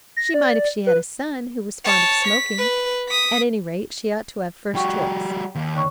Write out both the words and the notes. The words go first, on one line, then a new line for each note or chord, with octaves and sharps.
"She might if she had a son who was fond of smoking, at any rate she ought to have first choice."
A#6
D5
B4
C#5 A5
B6
B4
D#6 B6
G3 F#4 G5 C#6
G5
D#2
D3 C#5 C#6